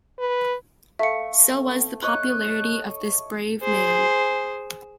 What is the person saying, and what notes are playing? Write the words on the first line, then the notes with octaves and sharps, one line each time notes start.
So was the popularity of this brave man.
B4
A3 E5 F5 C#7
C#5 D#5 F#6
G#4 C5